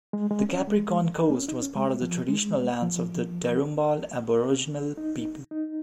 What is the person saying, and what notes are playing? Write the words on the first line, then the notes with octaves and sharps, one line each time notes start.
The Capricorn Coast was part of the traditional lands of the Darumbal Aboriginal people.
G#3
G#3
C#4
G#3
D#4
A#3
C#4
D#4
C#4
G#3
F3
G#3
F3
D#4
D#4